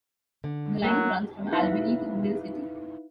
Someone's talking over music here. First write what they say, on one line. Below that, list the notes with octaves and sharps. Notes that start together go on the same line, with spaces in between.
The line runs from Albany to Mill City.
D3
F#3 A3 A#3 C#4
D#4 E4 B4 E5 F5